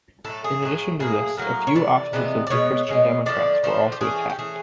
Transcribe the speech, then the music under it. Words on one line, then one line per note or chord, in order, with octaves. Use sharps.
In addition to this, a few offices of the Christian Democrats were also attacekd.
A2 F#3 A3 A4
G#4
A2 F#3 A3
A2 F#3 A#3 G#4
A2 F#3 A#3 A#4
C#5
C3 E3 D5
C3 E3 G#3 B3
D5
B2 G#3 B3 C#5
B2 G#3 B3
D3 F3 A3 D4 D5
D3 F3 A3 D4 C5
G4
E3 A3 C#4 G#4
G4
E3 A3 C#4 G#4